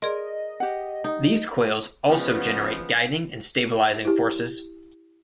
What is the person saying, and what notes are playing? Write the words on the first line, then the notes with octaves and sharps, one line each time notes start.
These coils also generate guiding and stabilizing forces.
G#4 A#4 D5 D#5 C6
G4 F#5
D#4
C#3 F3 G#3 B3
E4 G4